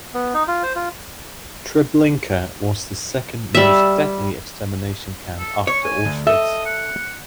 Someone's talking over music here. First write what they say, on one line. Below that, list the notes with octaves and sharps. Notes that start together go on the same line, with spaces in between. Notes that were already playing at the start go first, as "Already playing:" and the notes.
Treblinka was the second most deadly extermination camp after Auschwitz.
B3
D#4
F4
C5
F4
G3 E5
A4
C#5 C#6
G#5
D2
A4 D#5 E5
F#5